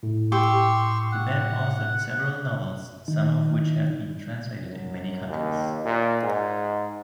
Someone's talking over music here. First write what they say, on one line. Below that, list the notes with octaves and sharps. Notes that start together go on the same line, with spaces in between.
The band authored several novels, some of which have been translated in many countries.
A2
G4 C6 C#6 E6
F#5
D#3
F#2
D#2
A#2
G#2